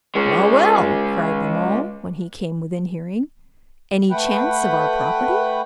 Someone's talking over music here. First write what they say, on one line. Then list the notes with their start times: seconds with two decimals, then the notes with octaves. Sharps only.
"Well, well," cried them all, when he came within hearing, "any chance of our property?"
0.15 G#3 C#4
4.11 A3 B4 F#5 G5